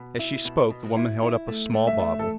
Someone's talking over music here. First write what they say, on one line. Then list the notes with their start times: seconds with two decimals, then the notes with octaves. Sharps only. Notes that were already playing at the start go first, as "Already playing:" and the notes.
As she spoke the woman held up a small bottle.
Already playing: B2
0.19 E4
0.45 B2
0.70 B2
0.97 E4
1.22 E4
1.48 A3
1.74 A3
1.87 E5
2.00 A3
2.19 A4